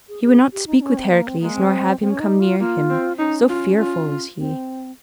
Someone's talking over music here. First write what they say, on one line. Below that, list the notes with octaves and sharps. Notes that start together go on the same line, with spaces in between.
He would not speak with Heracles nor have him come near him, so fearful was he.
G#4
G#4
G4
D#4
D#4
C#4
C4
A#3
C4
G#3 A#3
C4
C4
C#4
D#4
F4
A#3 F4
C4
C#4 D#4
F4
F4
C4